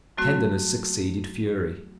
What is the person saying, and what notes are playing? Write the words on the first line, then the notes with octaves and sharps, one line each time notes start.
Tenderness succeeded fury.
F#3 A3 C4 F#4